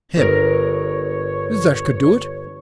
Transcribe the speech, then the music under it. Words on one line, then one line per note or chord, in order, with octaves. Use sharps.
HIM: That could do it.
G1 A#4 C#5